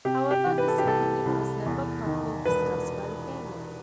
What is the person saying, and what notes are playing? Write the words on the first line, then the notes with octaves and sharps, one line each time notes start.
However, this option was never properly discussed by the family.
C3 G4
G4
E3
B4
A4
G4
C2 A4
C2
E2
D#3
E1 B4